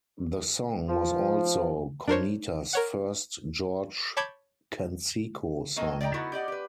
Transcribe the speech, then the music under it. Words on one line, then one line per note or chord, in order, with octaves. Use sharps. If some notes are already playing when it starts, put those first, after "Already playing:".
The song was also Cuneta's first George Canseco song.
F3
D4 A#4 C5 C#5
A#4 C#5 F#5
C#5 A5 B5 D6 G6 G#6
A#3 F#4 A4 D#5 G#5 A5
D5 D#5 F5 G5 A#5
B3 D#4 E4 F#4 A4
G4 D5 D#5 F#5
G4 B4